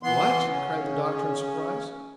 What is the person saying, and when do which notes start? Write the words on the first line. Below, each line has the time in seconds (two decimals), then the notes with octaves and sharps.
"What?" cried the doctor in surprise.
0.03 E3 B3 C6
0.49 C#3 C#4